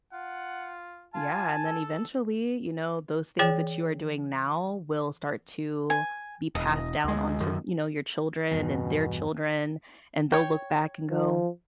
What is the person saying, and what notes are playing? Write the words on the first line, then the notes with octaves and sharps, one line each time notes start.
Yeah, and then eventually, you know, those things that you are doing now will start to be passed down onto, you know, your children and their children, and they'll look back and go,
F4 F#5
F4 G#5 A5
A4
E3 G#4 C#5 G5
G#5
E1 D#5
D2 G#3
F#2 D#3
E2 G2 B2
C#5 G5
F3